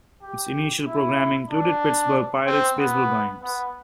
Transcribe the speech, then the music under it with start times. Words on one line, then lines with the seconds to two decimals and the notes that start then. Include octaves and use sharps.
Its initial programming included Pittsburgh Pirates baseball games.
0.23 G4
0.87 E4
1.50 D4
2.47 C4
2.78 B3
3.43 B3